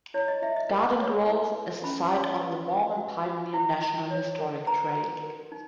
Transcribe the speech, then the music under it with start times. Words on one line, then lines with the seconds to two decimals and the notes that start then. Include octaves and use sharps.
Garden Grove is a site on the Mormon Pioneer National Historic Trail.
0.14 E4 C#5
0.28 D#5
0.42 E4 E5
0.56 D#5
0.71 A#4
0.99 C#5
1.27 E4
1.56 B4
1.84 C#4 B5
2.12 C#5
2.41 B4
2.69 B4
2.97 F#4
3.25 F#4
3.53 E4
3.82 E4
4.10 C#5
4.39 A#4
4.67 B4 A#5
4.95 F#4
5.23 A#4
5.52 D#4